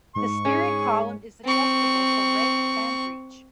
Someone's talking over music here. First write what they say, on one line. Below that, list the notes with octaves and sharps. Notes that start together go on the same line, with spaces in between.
The steering column is adjustable for rake and reach.
G#2 C#6
C#4 G#4
C4 C#6